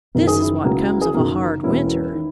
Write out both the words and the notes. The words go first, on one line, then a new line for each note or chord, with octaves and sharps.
"This is what comes of a hard winter."
F#1 F#2 D#3 A#4
G#4
E4
C#2 C#3 F#3 A#3
E4
E4
G#4
F#1 F#2 D#3 A#3 F#4
E1 E2 B2 A#3 C#4 E4
D#3